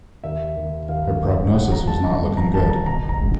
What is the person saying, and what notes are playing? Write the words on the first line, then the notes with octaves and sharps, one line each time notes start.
Her prognosis was not looking good.
D#2 E5
D#2
D#2 F5
D#2
D#3 F#5
A#5
G3 A5
A#5
G2
A#5
D#3 A5
A#5
B2 A#5
A#5
G#3